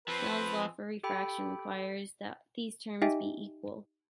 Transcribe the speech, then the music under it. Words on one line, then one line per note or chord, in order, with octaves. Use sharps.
Snell's law for refraction requires that these terms be equal.
F3 C4 B4
G4 A4 G5 B5
D#4 G4 D#5 E5 G5 G#5